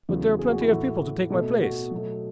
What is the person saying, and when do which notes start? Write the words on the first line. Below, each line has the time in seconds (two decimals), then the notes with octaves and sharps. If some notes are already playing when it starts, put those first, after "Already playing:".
But there are plenty of people to take my place.
0.09 E2 C#3 F#3 A3
0.39 G#4
0.50 F#4
0.61 E4
0.69 A2 E3 A3 F#4
1.30 B2 A3
1.62 F#4
1.92 B2 F#3 A3